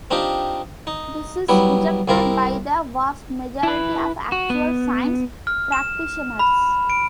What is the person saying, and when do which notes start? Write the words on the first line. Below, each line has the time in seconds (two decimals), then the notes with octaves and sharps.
This is rejected by the vast majority of actual science practitioners.
0.11 C4 D4 D#4 F4 G4
0.87 D#4
1.49 F#3 G3 B3 E4
2.08 C2 C4 E4 A#4
3.63 E4 B4
4.32 F#4
4.50 B3
5.47 F6
5.72 E7
6.39 B5
6.90 D7